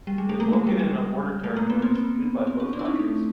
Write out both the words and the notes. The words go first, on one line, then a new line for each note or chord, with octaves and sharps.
It is located in a border territory disputed by both countries.
G3
G#3
A3
A#3
G#3
G3
G#3
A3
A#3
B3
C4
B3
C4
C#4
C4 D4
E4
C#4 D#4
A3